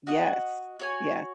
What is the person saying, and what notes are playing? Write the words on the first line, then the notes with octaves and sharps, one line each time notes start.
Yes, ye
F#4 D#5 F#5
F#4 C#5 G#5